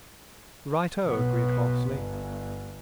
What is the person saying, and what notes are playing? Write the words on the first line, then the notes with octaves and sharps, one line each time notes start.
"Right-o!" agreed Hawksley.
B1 B3
G1